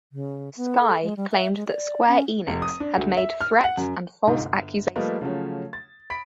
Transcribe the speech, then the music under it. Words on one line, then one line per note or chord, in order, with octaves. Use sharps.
Sky claimed that Square Enix had made "threats and false accusations".
C#3
B3
A4
G#3
G3
E5
G#3
D5
C#4
F1
D#6
D4
D2
E5
F6
F#5
F#2
D2 G#2 C3 D#4 F4 D#5
G1
F3 G3 A3 A#3 B4 D#5
C#3 F3 F#3 A3 C#4
A6
B5 B6 D7